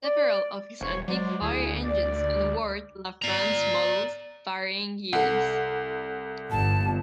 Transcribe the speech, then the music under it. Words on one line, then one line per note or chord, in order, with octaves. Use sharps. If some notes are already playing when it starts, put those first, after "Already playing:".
Several of his antique fire engines are Ward LaFrance models of varying years.
D5
E1 C5 C#5
F#3 G#3 C5 D5
D2 E4 G#4
D5
D5 A#5
C2 A4 F#5
G1 A5